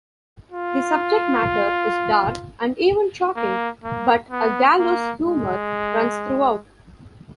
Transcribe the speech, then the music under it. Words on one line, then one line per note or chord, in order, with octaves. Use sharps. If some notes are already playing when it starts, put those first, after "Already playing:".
The subject matter is dark, and even shocking, but a gallows humor runs throughout.
F4
A#3
A#3
B3
A#3
G#3